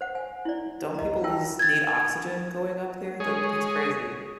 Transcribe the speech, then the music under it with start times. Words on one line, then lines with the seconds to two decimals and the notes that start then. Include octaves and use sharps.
don't people lose need oxygen going up there, that that's crazy?
0.01 C5 F#5
0.15 G#5
0.45 E4 D5
0.94 D#5 A#5
1.24 E4 F4 G5 A5 E6
1.59 G#6 A6
3.20 G#3 G#4 C#5